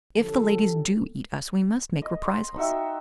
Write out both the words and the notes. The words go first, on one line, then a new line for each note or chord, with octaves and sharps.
"If the ladies do eat us we must make reprisals."
D3 F3 C#4 G4 A4
D#5
C6
D#4 F#4 E5 G5